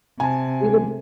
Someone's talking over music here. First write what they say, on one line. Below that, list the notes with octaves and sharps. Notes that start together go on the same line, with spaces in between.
we would
C3 G#5 A5